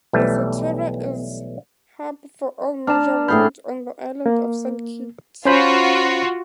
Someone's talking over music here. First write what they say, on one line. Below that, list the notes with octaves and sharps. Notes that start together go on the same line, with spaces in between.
Basseterre is hub for all major roads on the island of Saint Kitts.
B1 E3 G3 A3
D4 A5 A#5 F6
A2 G#4 A4 B5 F6 G6
A#3
C#4 F4 F#4 C5 B5